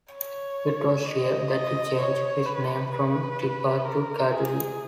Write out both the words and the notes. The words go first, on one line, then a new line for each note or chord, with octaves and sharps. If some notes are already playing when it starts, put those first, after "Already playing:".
It was here that he changed his name from Diba to Kaduri.
C#5
D#5
D#5
C#5
B4
B4
A#4
G#4